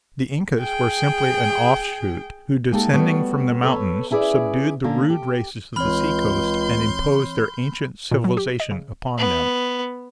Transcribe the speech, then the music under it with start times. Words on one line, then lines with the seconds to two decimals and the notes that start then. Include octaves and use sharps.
The Incas were simply an offshoot, who, descending from the mountains, subdued the rude races of the sea-coast, and imposed their ancient civilization upon them.
0.60 G#4 G5
2.72 G#3 A#3 D#4 G4 A4
2.93 G3 A3 B3 F#4 C#5
3.63 A4 B4 C#5
4.11 C#4 E4 G#4 B4 D5
4.84 D3 A#3 C#4
5.10 G4
5.76 C#2 E3 C4 C#5 B5 C6 F6 G6
8.12 A#2
8.24 F#3
8.37 G4
8.60 D#5
8.71 C#3
9.18 B3